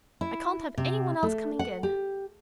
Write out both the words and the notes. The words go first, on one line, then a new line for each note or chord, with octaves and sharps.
I can't have any one else coming in.
E4
C3
A3
F#5
G4